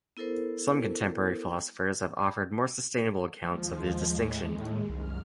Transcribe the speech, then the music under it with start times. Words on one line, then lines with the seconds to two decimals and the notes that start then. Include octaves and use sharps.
Some contemporary philosophers have offered more sustainable accounts of the distinction.
0.17 B3 E4 A4 A#4 C5
3.45 D#2 F3 G#3
4.18 A2
4.58 A2
4.90 C2 F#2 F6